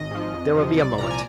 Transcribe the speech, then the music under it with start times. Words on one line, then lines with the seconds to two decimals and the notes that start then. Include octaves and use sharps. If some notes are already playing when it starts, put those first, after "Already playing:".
There will be a moment!
Already playing: G#1 D#5
0.11 G#2 F3
0.34 F2
0.55 C3 F3
0.77 C2 D5
0.98 A#2 F3 A#5
1.11 G#5